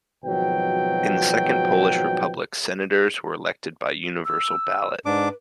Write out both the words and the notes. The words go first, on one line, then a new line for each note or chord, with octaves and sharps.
In the Second Polish Republic, senators were elected by universal ballot.
G#1 B2 F3 F#3 G5
E6
G#2 D4 B4 D6